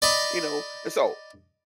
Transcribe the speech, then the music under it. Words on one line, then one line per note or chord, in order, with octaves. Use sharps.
you know, and so,
D5 D#5 A#5 B5 D#6